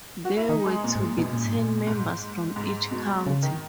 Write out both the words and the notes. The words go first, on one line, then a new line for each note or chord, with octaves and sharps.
There were to be ten members from each County.
F#4
E4
D#3 D#4
G#3
A#2
G#2
F#2 B2
A#2
G#2
A#2
G#2
G#2
B2
C#3
D#3